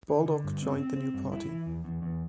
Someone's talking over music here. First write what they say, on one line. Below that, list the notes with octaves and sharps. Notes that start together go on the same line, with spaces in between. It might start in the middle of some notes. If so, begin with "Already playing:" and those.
Baldock joined the new party.
D3
D3
G2
C4
C4
C4
G2
E4
E3
E2
E2
E2